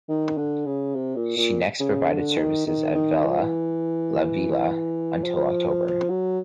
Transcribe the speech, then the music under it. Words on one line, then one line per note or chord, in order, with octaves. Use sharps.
She next provided services at Vella Lavella until October.
D#3
D3
C#3
C3
A#2
A#2
C#3
D3
D#3
D#3
D#3
E3
F3
E3
F3
F#3